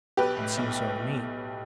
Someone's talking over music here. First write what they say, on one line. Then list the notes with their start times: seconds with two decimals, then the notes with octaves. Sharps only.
It seems so to me.
0.17 B1 G4 B4
0.37 A2
0.57 B1